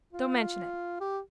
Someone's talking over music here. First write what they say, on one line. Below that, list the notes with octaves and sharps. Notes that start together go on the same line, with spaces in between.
Don't mention it.
F4
G4